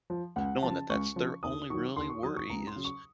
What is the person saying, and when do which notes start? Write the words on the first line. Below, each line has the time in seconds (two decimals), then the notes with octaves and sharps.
knowing that that's their only really worry is
0.10 F3
0.36 C#2 F#5
0.63 C#3 F3 A5
0.90 C#2 C#6
1.16 C#3 F3
1.43 D#2 D#6
1.70 D#3 F#3 C#6
1.96 D#2 C6
2.10 C#6
2.23 D#3 F#3 D#6
2.37 C#6
2.49 C#2 A#5
2.67 C6
2.76 C#3 F#3
2.85 C#6